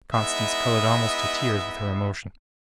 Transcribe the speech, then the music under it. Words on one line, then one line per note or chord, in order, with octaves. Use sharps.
Constance coloured almost to tears with her emotion.
G#3 B3 D#4 E4 D#5 E5